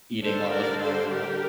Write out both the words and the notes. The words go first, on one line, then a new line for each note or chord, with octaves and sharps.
eating while I was growing up."
D3 G3 D4 A4 C5
A#4 D5
A4 C5
G4 A#4